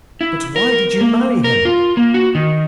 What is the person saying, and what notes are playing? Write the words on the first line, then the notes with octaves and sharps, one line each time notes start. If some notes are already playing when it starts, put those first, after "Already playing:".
"But why did you marry him?"
E4
A#4
A#3
A#4
F4
A#3
F#4
D#3